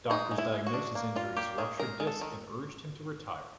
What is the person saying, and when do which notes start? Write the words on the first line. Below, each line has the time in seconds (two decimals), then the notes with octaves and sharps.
Doctors diagnosed his injury as a ruptured disc and urged him to retire.
0.10 G#3 D#4
0.31 G#3
0.38 E4
0.52 G#3
0.67 F#4
0.74 D4
0.95 A#3
1.16 G3 F4
1.37 A#3 G4
1.58 D#3 G#4
1.80 G#3 A#4
2.00 G#3
2.07 A4
2.21 D#3